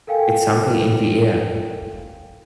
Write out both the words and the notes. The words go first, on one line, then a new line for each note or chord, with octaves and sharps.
It's something in the air.
A4 A#4 F5 G5 G#5